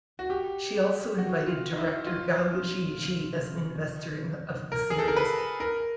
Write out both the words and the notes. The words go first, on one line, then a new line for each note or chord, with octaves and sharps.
She also invited director Gao Xixi as an investor of the series.
F#4
G4
F#4
F4
D#4
E4
F4
A#4
G#4
A4
A#4
B4
A#4